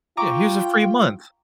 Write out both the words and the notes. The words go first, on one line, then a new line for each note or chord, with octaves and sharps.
Yeah, "Here's a free month.
F4 G5 A#5 C#6 D6